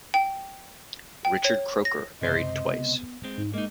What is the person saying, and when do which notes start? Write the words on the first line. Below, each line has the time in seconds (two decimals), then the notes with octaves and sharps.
Richard Croker married twice.
0.14 G5
1.25 G5
1.45 C#5
1.85 A#6
2.21 C#2 F#2 C3 C5 D#5
2.73 B3
3.24 G#3 C4
3.38 G#2 D#4
3.54 G#3 A#3 D#4 D#5